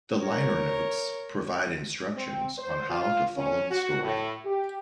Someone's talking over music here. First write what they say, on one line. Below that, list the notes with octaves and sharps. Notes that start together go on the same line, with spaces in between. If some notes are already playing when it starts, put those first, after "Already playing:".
The liner notes provide instructions on how to follow the story.
A#4 C#5
C4
C5
F4
C#4
F#4
A2
G4